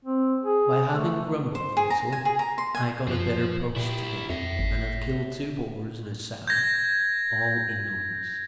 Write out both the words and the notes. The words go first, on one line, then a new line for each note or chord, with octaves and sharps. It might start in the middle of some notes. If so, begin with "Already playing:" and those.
By having grumbled a little, I got a better post to-day; and have killed two boars and a sow, all enormous.
C4
G#4
A3
C5
G#4
A#5
G#5
G#4
A#5
C6
G#5
F#2 F3 F4
A#2 E4 G4
F2 C#5 E5
G#1
G6 G#6 A#6